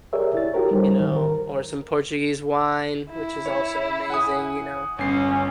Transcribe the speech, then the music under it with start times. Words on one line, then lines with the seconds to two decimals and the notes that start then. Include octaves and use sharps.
you know, or some Portuguese wine, which is also amazing, you know?
0.13 G4 G#4 A#4 C#5 D5 E5
0.35 E4 A6
0.53 F#4 G4 A4 A#4 C#5
0.71 G3 D#4 A#4 C5
1.00 G#2 D#3
1.16 A#4
3.11 E4
3.46 C#5
4.10 F#5 G#5 D#6
4.99 G1 C#4 C7